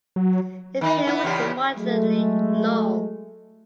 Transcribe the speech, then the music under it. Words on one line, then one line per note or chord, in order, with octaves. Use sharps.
The tail was moderately long.
F#3
D#3 D#4
B3 E4
E2 C#3 G4
F#3 G#3 A3